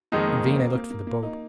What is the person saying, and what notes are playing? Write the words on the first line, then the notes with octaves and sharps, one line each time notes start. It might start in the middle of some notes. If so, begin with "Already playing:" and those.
In vain I looked for the boat.
F2 D#3 G#3 A#3 D#4
A#3
C4
A#3
C4
A#3
A#3
A#3
A#3
D#4